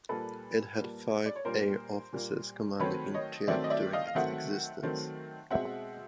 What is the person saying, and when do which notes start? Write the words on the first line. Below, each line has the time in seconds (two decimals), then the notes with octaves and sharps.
It had five Air Officers Commanding in Chief during its existence.
0.09 A#2 G3 A#3 A4 B4
0.77 A#2 G3 A#3
1.26 D5
1.36 C#5
1.45 A#2 G3 A#3 A#4 C5
2.13 A#2 G3 A#3
2.80 D#3 F#3 A3 C4 B4 C#5
3.14 C#5 D#5
3.47 D#3 F#3 A3 C4 D5 E5
3.64 D#5
3.70 D5 E5
3.93 D#5 F5
4.07 F5
4.15 D#3 F#3 A3 C4 E5 F#5
4.83 D#3 F#3 A3 C4
5.51 B2 G#3 C4 E5 F#5